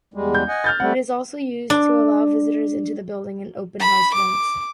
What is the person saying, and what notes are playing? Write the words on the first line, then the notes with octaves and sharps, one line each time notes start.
It is also used to allow visitors into the building in open house events.
E2 G3 G#3
G6
D#5 F#5 G#5
F6 G6 A6
G3 A3 C4 F#5
D4
B5
D6